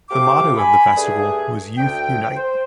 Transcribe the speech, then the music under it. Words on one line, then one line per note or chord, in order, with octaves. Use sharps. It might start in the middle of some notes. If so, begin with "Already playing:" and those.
The motto of the festival was: Youth Unite!
A3 C4 G4 F5 D6
G#5 B5
G2 A3 D4 G#4
D2 G5
C5